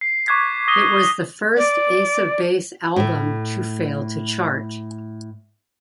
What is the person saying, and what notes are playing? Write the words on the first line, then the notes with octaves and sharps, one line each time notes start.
It was the first Ace of Base album to fail to chart.
C7
C#6 D6 F#6 G#6 A6 B6
D#6 A#6 D#7 G7
D5
A2 A3